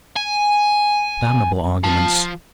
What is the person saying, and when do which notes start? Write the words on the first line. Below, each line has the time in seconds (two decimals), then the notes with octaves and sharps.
Damnable arguments!
0.16 G#5
1.84 F3